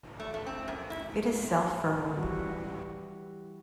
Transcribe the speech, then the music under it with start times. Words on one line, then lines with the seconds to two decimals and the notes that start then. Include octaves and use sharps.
It is self-fertile.
0.20 A3
0.34 A3
0.46 C4
0.68 F#2
0.90 E4
2.17 E3 G3 E4 F#4